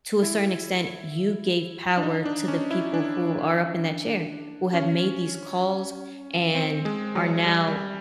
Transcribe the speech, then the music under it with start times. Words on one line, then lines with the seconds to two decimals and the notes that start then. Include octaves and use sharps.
to a certain extent you gave power to the people who are up in that chair? Who have made these calls and are now
0.22 E4
1.97 D4
2.03 D#4
2.25 D4
2.48 C#4
2.71 E4
2.94 D4
4.74 C#4
6.55 C4
6.85 G#3
7.15 F#3
7.46 G3
7.68 G3